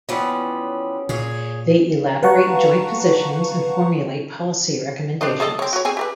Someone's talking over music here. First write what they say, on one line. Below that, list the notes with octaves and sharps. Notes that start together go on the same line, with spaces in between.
They elaborate joint positions and formulate policy recommendations.
E3 F3 G3 B3 C#4
A#2 G#4 C#5
B4 F5 F#5 A5 A#5 C#6
D4 C5 D#5
G#4 A4 D#5
C4 C#5
F#4 C#5
C4 G#4 G#5
G4 A#4 B4